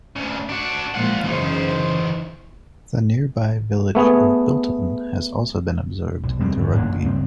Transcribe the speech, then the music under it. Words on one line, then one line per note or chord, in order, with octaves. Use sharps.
The nearby village of Bilton has also been absorbed into Rugby.
D2 C#3
D4 F#4
A#2 F3 G#3 F4 F#5
F#2 C#3 E3 D#4 C5
A3 B3 G#4
B1
C2 F#3 G3 C4
G1 F#2
A1 F#2 A#3 D4
C#2 G2 C4